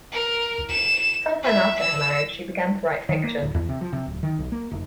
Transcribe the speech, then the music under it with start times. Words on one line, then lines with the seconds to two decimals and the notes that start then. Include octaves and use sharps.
Some time after her marriage she began to write fiction.
0.12 A#4
0.69 E7
1.43 E5
1.79 E6
3.09 D#3
3.24 A#3
3.43 D1
3.54 E2
3.69 C3
3.81 F3
3.93 C3
4.06 D1
4.23 D#3
4.39 B1
4.52 A#3
4.71 F1